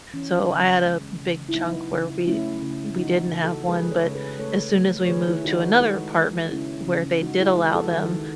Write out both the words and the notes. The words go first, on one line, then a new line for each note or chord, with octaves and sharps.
So I had a big chunk where we we didn't have one, but as soon as we moved to another apartment where they did allow them,
E3 C#4
C#3
G#3
C#3
E4
F#3 B3 D#4
C#3
A3 C#4 E4
C#3
E3 D#4 F#4
C#3
F#4 A4
G#3 G#4 B4
A4 C#5
C#3
G#4 B4
A3 A4 C#5
A3
C#5
D#3 G#4 B4
E4 G#4
D#3 D#4 F#4
G#4 B4
G#3 F#4 A4
G#3
C#3 C#4 E4
C#3
G#3 D#4 F#4
E4 G#4
G#3 G#4 B4
F#4 A4
D#3